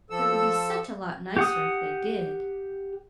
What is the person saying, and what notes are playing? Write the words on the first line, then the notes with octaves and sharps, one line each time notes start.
It would be such a lot nicer if they did!
F3 A4 E6
G4 F#5 D#6